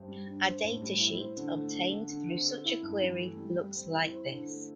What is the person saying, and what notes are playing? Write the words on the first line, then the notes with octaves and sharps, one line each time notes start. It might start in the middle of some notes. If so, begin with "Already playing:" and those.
A data sheet obtained through such a query looks like this.
Already playing: G2 G4 C5
G3
D4
C5
A2
G3
E4
C5
D3
A3
D4
D3
D3
C4
A4
E4
G2
E3
A3
G3
G3
C4
E4
C5
D3
A3